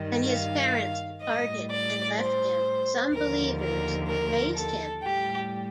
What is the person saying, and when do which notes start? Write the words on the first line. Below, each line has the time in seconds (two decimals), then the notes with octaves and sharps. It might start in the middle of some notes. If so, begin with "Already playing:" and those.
When his parents departed and left him, some believers raised him.
Already playing: G2 D#3 G3
0.28 F5
1.22 A2 G3 D#5
1.71 D5
2.18 C5
3.12 D#2 D3 F3 A#4
3.61 A#4
4.08 A#4
4.55 A4
5.03 A2 G3 G4